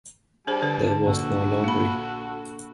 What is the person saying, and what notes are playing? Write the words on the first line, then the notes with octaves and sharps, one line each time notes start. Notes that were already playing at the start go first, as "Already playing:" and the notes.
There was no laundry.
G3 D4 G#4 C5 A5
D3 D4 B4
A#1 F#4 A4
A#3 B5